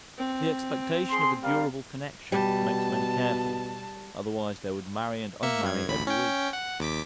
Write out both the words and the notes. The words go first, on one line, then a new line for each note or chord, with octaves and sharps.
The expectation of a durable connection makes men careful, otherwise they would marry and unmarry every week.
C4
G#4 C6
G3 A#4 F5
B2 G3 A5
A#3 E5 C#7
F#2 G#6
A1 D2 B5
C#4 G5
F#5
D#2 D6 B6